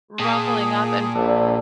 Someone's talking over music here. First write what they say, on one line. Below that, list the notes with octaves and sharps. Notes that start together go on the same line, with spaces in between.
rumbling up and
A#2 G#4 G5 A5
A#1 D4 G4 A4